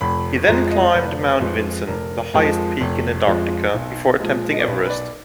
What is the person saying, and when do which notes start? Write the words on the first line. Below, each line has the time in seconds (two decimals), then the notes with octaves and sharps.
He then climbed Mount Vinson, the highest peak in Antarctica, before attempting Everest.
0.01 F1 B5
0.47 F2 F3 G#3 A#5
0.71 D#5
0.94 F1 B4
1.08 D5
1.21 B4
1.40 F2 F3 G#3
1.87 F1 A#4
2.34 F2 F3 G#3
2.81 F1
3.27 F2 F3 G#3
3.74 B1
4.20 A#2 F3 G#3
4.53 D#5
4.59 D5
4.67 B1 B4
4.85 B4
4.90 D5